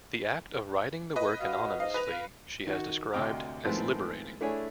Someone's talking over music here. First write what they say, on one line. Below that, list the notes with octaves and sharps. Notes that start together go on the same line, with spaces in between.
The act of writing the work anonymously she has described as "liberating".
B4 D#5
F#4 F5
G#2 D#5 F5
B4 A#6 F7
F5
D#3 F#4
D2 C3 D#5 G5 D6 F6
A2 D#3 F3 G#3 B3 C4
A3 D4 E4 G#4 C#5 G#5